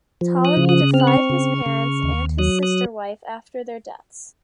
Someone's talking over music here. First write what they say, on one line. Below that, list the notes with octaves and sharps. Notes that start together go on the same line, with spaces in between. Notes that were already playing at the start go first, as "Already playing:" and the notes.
Ptolemy deified his parents and his sister-wife after their deaths.
F3
D#6 F#6
C#3
D#6 F#6
C4 F6
F#6
C#6 F6
C#3
C#3
D#2
F#3 D#6 F#6
D#6 F#6